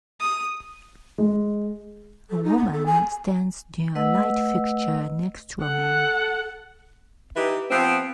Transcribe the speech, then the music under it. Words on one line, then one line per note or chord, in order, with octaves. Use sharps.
A woman stands near a light fixture next to a man.
D#6
G#3
A4
D#4
B3
A4
G#5
A3 B4 D#5 F#5 E6
A4 F#5
E3 D#4 E4 G4 B4
F3 B3 C4